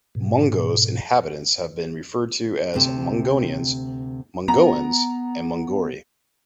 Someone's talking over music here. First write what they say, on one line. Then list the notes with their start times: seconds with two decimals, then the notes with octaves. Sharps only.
Mongo's inhabitants have been referred to as "Mongonians", "Mongoans", and "Mongori".
0.15 G#2 B2
2.74 D2 C3
4.48 B3 A#5